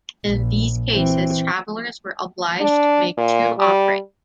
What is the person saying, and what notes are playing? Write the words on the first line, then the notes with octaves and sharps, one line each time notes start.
In these cases, travelers were obliged to make two offerings.
A#1
E3 C4
D4
A#2
G3